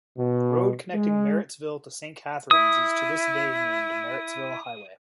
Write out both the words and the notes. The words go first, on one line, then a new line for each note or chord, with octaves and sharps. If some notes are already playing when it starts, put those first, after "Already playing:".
The road connecting Merrittsville to Saint Catharines is to this day named Merrittsville Highway.
B2
G#3
E4 D#6